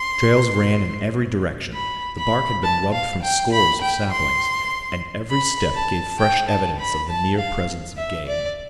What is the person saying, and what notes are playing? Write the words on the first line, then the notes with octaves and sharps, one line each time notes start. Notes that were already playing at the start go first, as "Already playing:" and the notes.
Trails ran in every direction, the bark had been rubbed from scores of saplings, and every step gave fresh evidence of the near presence of game.
Already playing: C6
B5
B5
A5
F5
G5
B5
G5
C6
B5
A5
G5
A5
B5
A5
F5
E5
D5